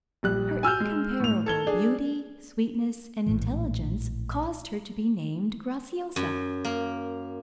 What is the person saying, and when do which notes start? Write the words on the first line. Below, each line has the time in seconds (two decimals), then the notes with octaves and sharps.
Her incomparable beauty, sweetness, and intelligence caused her to be named Graciosa.
0.23 A#1 G3 F#6
0.63 G#5 E6 F6 G6
0.80 G#3
1.20 A2 F7
1.46 A4 G#6 G7
1.67 D4 G#4
3.26 A#1 A2 E3
6.16 F#2
6.65 A#3